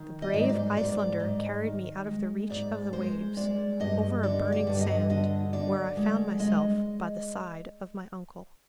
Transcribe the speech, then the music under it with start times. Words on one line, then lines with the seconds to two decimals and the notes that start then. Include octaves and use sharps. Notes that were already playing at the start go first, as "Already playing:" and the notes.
The brave Icelander carried me out of the reach of the waves, over a burning sand where I found myself by the side of my uncle.
Already playing: D#3
0.22 D#5
0.33 G#2 D5
0.49 D5
0.55 C5
0.76 G#2 D5
0.84 C5
0.92 D5
1.19 G#2 D#5
1.64 D#3
2.07 G#3
2.49 G#2 D5
2.93 G#3 C5
3.37 G#3 D5
3.80 G2 D#5
4.23 D3 D5
4.52 D5
4.67 G2
4.81 D#5
5.10 D3 D#5
5.53 D3 D5
5.97 G#3 D5
6.39 G#3 D#5